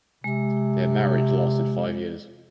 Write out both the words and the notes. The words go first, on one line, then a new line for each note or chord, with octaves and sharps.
Their marriage lasted five years.
C3 G#3